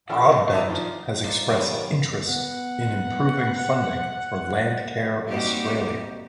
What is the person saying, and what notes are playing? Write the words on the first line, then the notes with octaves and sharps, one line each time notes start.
Broadbent has expressed interest in improving funding for Landcare Australia.
E3 F3 D4 G4 A4 A#4
G#1 F#2 A#2
D#4 E5 A5 A#5 D6
D#3 F3 D4 F4
D4 D#4 F4 C5
F#2 B2 D#3 G3 F4
B3 F#5
G3 A#3 C4 D#4 F#4 G4